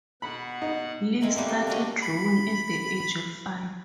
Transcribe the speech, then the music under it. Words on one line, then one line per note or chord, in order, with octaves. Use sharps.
Lee started drawing at the age of five.
B2 F#5 B5
D#4
G#3 C4 E4 A#4
G3 A3 A#3 D4
G5
C#4 F#4 D5 D#5
B5 B6